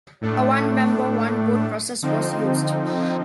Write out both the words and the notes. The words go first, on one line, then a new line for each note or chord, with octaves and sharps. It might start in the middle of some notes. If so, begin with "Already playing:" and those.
A One member, one vote process was used.
A2 A3 D4
D3 F3 C4 D#4